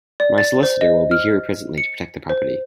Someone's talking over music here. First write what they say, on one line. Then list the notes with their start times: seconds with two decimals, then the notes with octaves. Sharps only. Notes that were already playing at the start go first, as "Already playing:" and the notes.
My solicitor will be here presently to protect the property.
0.20 D5
0.38 A6
0.63 C5
0.81 D#5
1.11 F6
1.78 C#7
2.30 C5